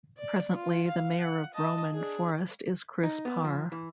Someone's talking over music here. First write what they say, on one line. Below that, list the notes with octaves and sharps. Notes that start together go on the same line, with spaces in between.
Presently, the mayor of Roman Forest is Chris Parr.
D5
F4
F5
F#5
D#5 A5
D4 G#4
D#4
B3
F3
E3